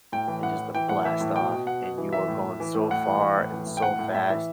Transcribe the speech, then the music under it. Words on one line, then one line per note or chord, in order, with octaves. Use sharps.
and just the blast off, and you are going so far and so fast,
A2 G5
E3
A2 F#5
E3
E3 G5
A2 F#5
E3 E5
A2
B2 G5
B2
B2 F#5
B2
E3
E3 E5
A2
A2
E3
A2
A2 F#5
E3
E3
A2
E3
A2
G5
A2 F#5
A2
A2 E5
E3